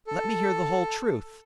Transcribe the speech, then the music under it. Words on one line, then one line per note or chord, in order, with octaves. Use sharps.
"Let me hear the whole truth."
A4